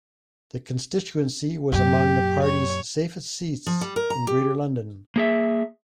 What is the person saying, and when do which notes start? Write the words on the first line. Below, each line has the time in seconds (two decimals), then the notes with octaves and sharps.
The constituency was among the party's safest seats in Greater London.
1.72 F#2 A#2 G4
2.43 C#5
3.66 F3
3.81 G3
3.96 A#4
4.10 A#5
4.27 G4
5.16 A#3 G#4 E5